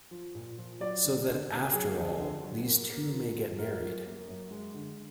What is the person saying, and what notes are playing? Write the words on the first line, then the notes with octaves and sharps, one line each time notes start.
So that after all these two may get married.
F3
A#2
F3
F#3 D5
D3
D3
D3
F#3 G#4
F2
D3
F#3
A#3
A#3
F3
F3
F3 A#4
F#2
A#3
F#2
G#3
D3